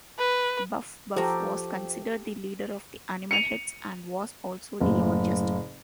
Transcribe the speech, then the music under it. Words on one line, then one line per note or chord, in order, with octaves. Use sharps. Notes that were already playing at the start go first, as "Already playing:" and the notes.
Buff-Buff was considered the leader of the animal heads and was also the largest.
B4
F3 F#4 G4 A4 A#5
C#7 D#7 F7
F#1 A2